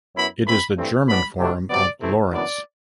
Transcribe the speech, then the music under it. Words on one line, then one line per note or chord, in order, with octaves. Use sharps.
It is the German form of Laurence.
F#2 F#3 B3 E4 B5
E3 A3 C4 E4 B5
G2 E3 A3 C4
A2 F#3 B3 D4 B5
C3 F#3 A3 D4
C3 F#3 B3 D5
C3 E3 A3 C4 E4
F#2 E3 B3 D4 D5